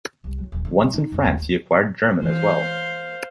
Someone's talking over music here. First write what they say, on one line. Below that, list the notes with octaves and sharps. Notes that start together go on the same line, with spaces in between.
Once in France he acquired German as well.
C2
F#3
D#1
D3
G2
D#4
F#2
D#2
D2
E3 C5 F5